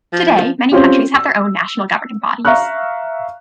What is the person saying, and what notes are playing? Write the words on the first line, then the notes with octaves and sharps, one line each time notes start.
Today, many countries have their own national governing bodies.
F3
C4 C#4 F4 G4
E6
E5 F5 A#5 C#6 F6 F#6